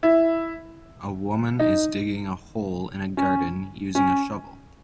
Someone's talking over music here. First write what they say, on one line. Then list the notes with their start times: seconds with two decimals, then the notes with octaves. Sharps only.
A woman is digging a hole in a garden, using a shovel.
0.03 E4
1.59 D#4
3.17 C#4
3.95 C#4